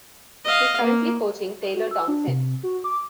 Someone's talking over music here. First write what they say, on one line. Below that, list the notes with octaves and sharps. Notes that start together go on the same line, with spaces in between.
She is currently coaching Taylor Townsend.
D#5 F5
A#3
F#4
E6
D4
C3
F#4
D6